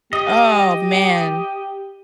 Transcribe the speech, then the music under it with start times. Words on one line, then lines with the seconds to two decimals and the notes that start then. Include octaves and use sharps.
Oh man.
0.13 G4 D#5